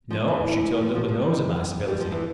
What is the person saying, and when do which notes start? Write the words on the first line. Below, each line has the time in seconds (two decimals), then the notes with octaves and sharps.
No, she turned up her nose at my civility.
0.11 F3
0.28 E3
0.82 F3
0.95 F3
1.08 F3
1.22 G3
1.88 G3
2.00 F3
2.12 E3